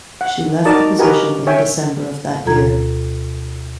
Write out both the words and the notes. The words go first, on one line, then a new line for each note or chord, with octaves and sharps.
She left the position in December of that year.
F#5
D#4 F#4 A#4 D5 D#5 A5
F#4 G4 A#4 B4 D#5 G#5
A#4
C#5 E5 G5 G#5
D2 B2 F4 A4 A#5 G#6